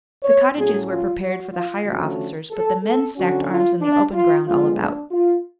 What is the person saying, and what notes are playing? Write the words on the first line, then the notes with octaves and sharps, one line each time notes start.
The cottages were prepared for the higher officers, but the men stacked arms in the open ground all about.
C#5
A2 F#3 C#4 G#4
F4
F#4
F4
D3 F3 A3 C#4 F#4
A4
A4
D3 F#3 C#4 F#4
F4
D4
F4
D3 F3 G#3 B3 F4
D4
F4